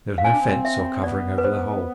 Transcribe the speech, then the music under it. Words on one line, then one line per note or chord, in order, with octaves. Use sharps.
There was no fence or covering over the hole.
F5
C4 G#5
D4
C4
E5
B3 D5
B4
C5